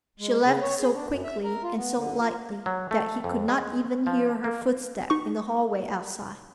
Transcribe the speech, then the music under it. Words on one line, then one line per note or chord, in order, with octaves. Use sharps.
She left so quickly and so lightly that he could not even hear her footstep in the hallway outside.
G#3
C#3
C#5
G#4
D4
F#2
E5
A#4
F4
B3
D3
F3
F#3
A3
F2
G#3
F3
A#3
D#4 C#6